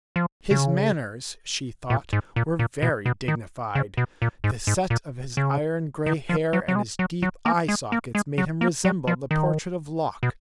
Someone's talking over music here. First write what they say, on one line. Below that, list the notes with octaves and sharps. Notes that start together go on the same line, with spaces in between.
His manners, she thought, were very dignified; the set of his iron-gray hair and his deep eye-sockets made him resemble the portrait of Locke.
F3
C#3
A#2
G#2
A#2
A#2
B2
B2
D#3
C#3
B2
A#2
G#2
G#2
A#2
C#3
D#3
F3
F#3
F#3
G#3
F#3
F#3
A#3
G#3
A#3
G#3
F#3
A#3
F#3
F3
D#3
B2